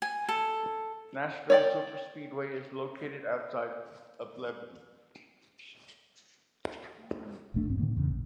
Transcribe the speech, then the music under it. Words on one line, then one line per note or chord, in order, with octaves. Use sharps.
Nashville Superspeedway is located outside of Lebanon.
G#5
A4
C#5 D5 G5
E1 B1 A3 D4
A1 G2 C4
A2 D3 D#3 A#3
E2 C#3
A#1